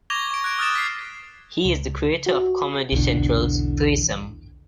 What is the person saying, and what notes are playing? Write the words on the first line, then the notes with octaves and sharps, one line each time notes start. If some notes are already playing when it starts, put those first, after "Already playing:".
He is the creator of Comedy Central's "Threesome".
C#6 D6 G#6 A#6 F7 G7
C#6 D7
F#6 G#6 D7
D#6 F6 F#6 A6 D7 E7
B6 C7
C#2
F#4
B1 E2 D3